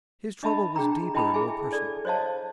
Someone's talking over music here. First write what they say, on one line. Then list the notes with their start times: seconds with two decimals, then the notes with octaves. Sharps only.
His trouble was deeper and more personal.
0.43 D4 D#5 E5 A5 B5
0.76 D4 G#4 G5 A#5
1.14 E4 D#5 G5 A5 B5
1.34 G#4 E5 G#5
1.72 A4 D5
2.05 C5 C#5 D#5 F5 A5